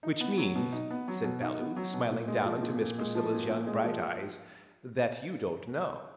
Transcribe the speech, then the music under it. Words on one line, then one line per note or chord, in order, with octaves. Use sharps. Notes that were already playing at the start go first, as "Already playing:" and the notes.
"Which means," said Bellew, smiling down into Miss Priscilla's young, bright eyes, "that you don't know."
D#4
B3
F#3
B2
D#4
B3
F#3
B2
D#4
B3
F#3
B2
A#2
G#3
F3
A#2
A#2
G#3
F3
A#2
A#2
G#3
F3